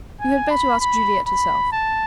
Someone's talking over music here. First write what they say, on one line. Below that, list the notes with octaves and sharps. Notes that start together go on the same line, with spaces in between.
You had better ask Juliet herself.
G#5
B5
B5
B5
A5